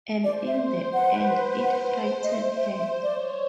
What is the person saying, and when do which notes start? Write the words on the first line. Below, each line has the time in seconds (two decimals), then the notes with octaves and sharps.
And in the end it frightened her.
0.24 C5 D5
0.47 E5
0.93 B4 F#5
1.63 C5 F#5
2.23 D#5
2.33 E5
2.56 E5
2.79 E5
3.03 C#5 D5